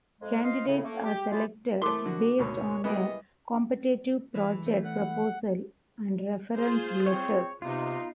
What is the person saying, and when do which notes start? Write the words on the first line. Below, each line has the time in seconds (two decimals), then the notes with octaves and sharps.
Candidates are selected based on a competitive project proposal and reference letters.
0.21 F2 G#3
0.43 F4 C5 D#5 F5
0.67 A2 C#3
0.84 A3 A#3
1.05 G4
1.32 F#3 G#3 A3 E4 F4 G4
1.82 C3 E3 A3 A#4 C6 D6
2.06 D3 F#4
2.39 D2 G#2 B2 C#5
2.84 E3 G3 G#3 B3 D#5
4.35 E3
4.66 A3
4.84 F#5
6.54 F4 G#4 C5
7.06 C4 C#5
7.62 C3 B3 D#4 F4